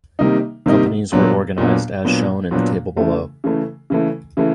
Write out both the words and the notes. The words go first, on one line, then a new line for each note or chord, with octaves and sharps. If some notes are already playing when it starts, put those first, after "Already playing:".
Companies were organized as shown in the table below.
C3 D#3 G3 A#3 D#4
C3 D#3 G3 A#3 D#4
A#2 F#3 B3 D4
A#2 F#3 B3 D4
A#2 F#3 B3 D4
A#2 F#3 B3 D4
C#3 E3 A3
C#3 E3 A3
C#3 E3 A3
C#3 E3 A3